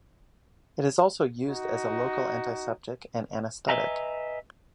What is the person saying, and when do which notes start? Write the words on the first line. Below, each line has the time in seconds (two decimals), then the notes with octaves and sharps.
It is also used as a local antiseptic and anaesthetic.
1.48 D#4 F#4
3.69 B4 D#5 E5 G#5 A#5